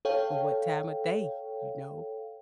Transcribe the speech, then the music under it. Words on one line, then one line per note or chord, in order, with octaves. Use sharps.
or what time of day, you know?
A4 C#5 F5 G5